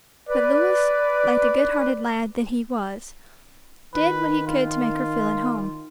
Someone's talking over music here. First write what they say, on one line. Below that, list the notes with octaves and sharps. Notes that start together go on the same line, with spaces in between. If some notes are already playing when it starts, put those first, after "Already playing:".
But Louis, like the good-hearted lad that he was, did what he could to make her feel at home.
B4 D5
D#3 B4
F4